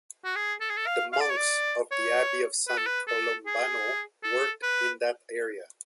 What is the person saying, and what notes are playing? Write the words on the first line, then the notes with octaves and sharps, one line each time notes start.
The monks of the Abby of San Colombano worked in that area.
F#4
G#4
A4
G#4
A4
F5
F5
D5
C#5
D5
C#5
B4
A4
B4
A4
G#4
A4
B4